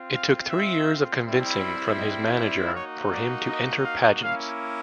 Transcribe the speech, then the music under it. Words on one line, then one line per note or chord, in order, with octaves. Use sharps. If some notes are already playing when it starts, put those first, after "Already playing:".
It took three years of convincing from his manager for him to enter pageants.
Already playing: C4 F4
F5
E5
G3 C4 E4
D#5
D5
A#3 D#4 F#4 C#5
D5
D#5
F5
A#3 C#4 E4 F5